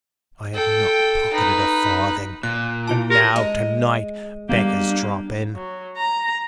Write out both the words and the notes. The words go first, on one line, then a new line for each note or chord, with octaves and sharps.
I have not pocketed a farthing; and now, to-night, beggars drop in.
A4 G5
D#4 B4
A#2 F#6
E4 F4 A5
G4 A#4
G#3
G3 A#3 B3 D4 G4
F#3
A#5